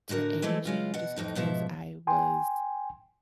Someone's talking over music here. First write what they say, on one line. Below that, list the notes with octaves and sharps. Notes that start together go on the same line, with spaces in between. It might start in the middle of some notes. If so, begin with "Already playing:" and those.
to aging just because I was
A2 D3 F#4 A#4
E3 G#3 A3 C4 E4 A4
C#3 G#3 F4
B2 F#5
F2 A2 D#4
G#2 B2 F3 E5
G5 G#5 C6